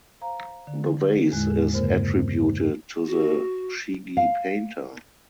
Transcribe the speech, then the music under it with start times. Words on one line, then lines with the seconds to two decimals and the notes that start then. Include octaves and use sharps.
The vase is attributed to the Chigi Painter.
0.21 C5 F5 A#5
0.67 D3
1.32 E2 A2 G#3 F#6
1.73 G2 C#3 A#3 A#4 C5
3.06 F#4
4.17 F5